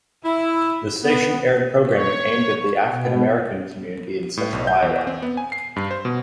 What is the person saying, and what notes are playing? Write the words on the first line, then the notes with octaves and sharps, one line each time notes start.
The station aired programming aimed at the African American community in central Iowa.
E4
B3
C#5
B2
A2
B1
G6
E2
C4
B3
G#5
C7
G2
C5
B2